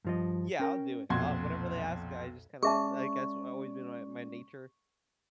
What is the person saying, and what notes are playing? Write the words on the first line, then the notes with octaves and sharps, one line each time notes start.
Yeah, I'll do it. I'll whatever they ask, I just kinda I guess, that's always been my my nature,
G2 F3 D#5
C#4 A#4 G5
B1 F2 A#2 F#4 C6 G#6
G#3 C#4 G#4 D5 E5 A5 C#6